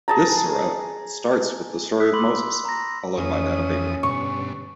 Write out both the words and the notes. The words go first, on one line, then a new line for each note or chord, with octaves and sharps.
This surah starts with the story of Moses, followed by that of Abraham.
G#4 A5 A#5
D#6 E6 F#6 B6
B5 C6 D6 F#7
A#5 A#6
F2 E3 C#4 D#6
G2 B2 D3 C#6